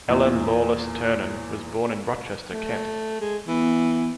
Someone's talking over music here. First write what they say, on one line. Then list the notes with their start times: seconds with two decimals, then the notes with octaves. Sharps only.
Ellen Lawless Ternan was born in Rochester, Kent.
0.08 E2 A#2
2.53 A3
3.21 G#3
3.47 E3 B3